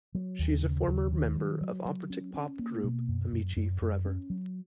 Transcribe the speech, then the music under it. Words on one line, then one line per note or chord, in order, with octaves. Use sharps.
She is a former member of operatic pop group Amici Forever.
F#3
D#2
C#3
D#2
D#3
F#3
F#3
F#3
C#4
C#4
A#3
B2
F#2
F#2
F#2
F#2
C#4
F#3